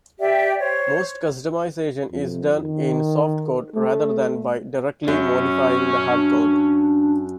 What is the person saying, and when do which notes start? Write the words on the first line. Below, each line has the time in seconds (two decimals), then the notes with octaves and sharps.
Most customization is done in "softcode" rather than by directly modifying the hardcode.
0.20 G4 D5 E5 G5
0.59 C5 C#5
2.12 F2
2.62 D#3
3.74 A3
5.08 F#2 C#4
6.09 D4